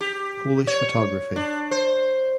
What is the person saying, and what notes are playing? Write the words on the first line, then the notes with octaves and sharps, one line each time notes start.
Polish photography.
G4
C#5
D4
C5